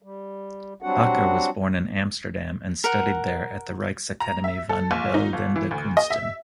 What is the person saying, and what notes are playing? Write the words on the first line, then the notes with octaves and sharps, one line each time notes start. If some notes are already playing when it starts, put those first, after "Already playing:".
Bakker was born in Amsterdam and studied there at the Rijksakademie van beeldende kunsten.
G3
F#3 G3 C4 D4 F#4 F#5
A#4 F#5
A#5
E5
A4
A#1
D#4
G1
E3
D2
D#5
E5